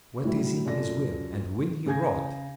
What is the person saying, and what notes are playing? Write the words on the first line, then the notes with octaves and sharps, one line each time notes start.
What is in his will, and when he wrote?'
A2 F#3 G3 E4
F#2 F4 A4 D5 A#6
C#3 G#4 G#5 G6 G#6 A#6